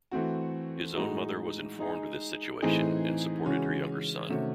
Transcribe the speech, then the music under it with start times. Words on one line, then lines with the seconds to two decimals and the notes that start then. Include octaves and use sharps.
His own mother was informed of this situation and supported her younger son.
0.11 E3 A3 C4 F#4
0.95 A2 G#3 D#4 F#4
1.79 G#3 D#4 G#4
2.62 A2 E3 C4 D#4 G#4
3.46 C#3 E3 G#3 C#4 F#4
4.29 C3 D#3 A3 C#4 F#4